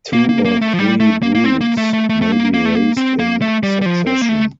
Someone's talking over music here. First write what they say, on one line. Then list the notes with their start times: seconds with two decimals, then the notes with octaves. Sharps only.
Two or three broods may be raised in succession.
0.13 A#3
0.29 A#3
0.45 A#3
0.62 A3
0.73 F3
0.79 G3
1.00 A3
1.23 A#3
1.35 A#3
1.44 C4
1.61 A#3
1.77 A3
1.93 A3
2.09 A3
2.22 A3
2.32 A#3
2.54 A#3
2.65 A3
2.75 A#3
2.97 C4
3.19 A#3
3.42 A3
3.63 G3
3.81 G3
3.86 F3
4.07 C4
4.22 A#3
4.29 A3